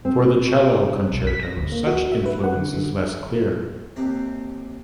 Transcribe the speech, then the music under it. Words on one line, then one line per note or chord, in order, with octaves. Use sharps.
For the Cello Concerto such influence is less clear.
C4
B1
B6
A#6
D2
A#3
F#4
E5
B4
F#5
D3
D3
D#2 C3 C4